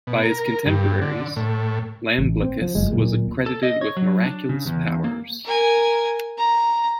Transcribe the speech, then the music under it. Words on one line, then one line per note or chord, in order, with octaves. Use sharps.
By his contemporaries, Iamblichus was accredited with miraculous powers.
B2
A#4
G2
D3
A2
A1
C4
F3
F#1 G#3
D1 A#2
A4
D#5
C#5
F#3
D4
C#3
E2
A#3
A#4 G#5
A#5